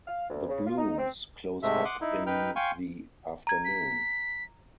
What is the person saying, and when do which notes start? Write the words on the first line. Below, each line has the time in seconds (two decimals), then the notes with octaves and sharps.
The blooms close up in the afternoon.
0.08 F5
0.30 D2
0.49 C#3
0.66 F4
0.78 D#4
0.98 C4
1.63 G#2 C3 G#3 A3 E5
1.85 F#5 C6 D6 D#6
2.01 D#4 E4
2.26 D#4 B4 G5 F6
2.56 F5 G5 G#5 C6 C#6
3.47 A#5 G#6
3.65 B6